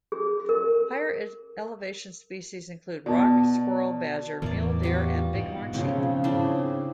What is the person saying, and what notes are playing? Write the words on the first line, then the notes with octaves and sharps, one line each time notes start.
Higher elevation species include rock squirrel, badger, mule deer, and bighorn sheep.
G#4
A#4
B2 D5 A5
E2 A2 E3 A#4 D5
G3 F4 F#4
G#2 B2
C#3 F3 C4
C4 D4 E4